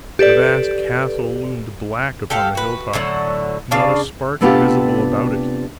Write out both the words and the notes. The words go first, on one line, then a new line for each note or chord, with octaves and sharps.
The vast castle loomed black upon the hilltop, not a spark visible about it.
G4 A4 B4 D5
G4 A4 F5 F#5
F#4 B4
A2 D3 F#3 F#5
C#3 D4 F5 A5
C3 A3 B3 D4 F4 G4